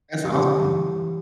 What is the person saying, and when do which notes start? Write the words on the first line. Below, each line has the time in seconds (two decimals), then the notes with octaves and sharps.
That's awesome.
0.24 E3 G4
0.60 E3
0.98 E3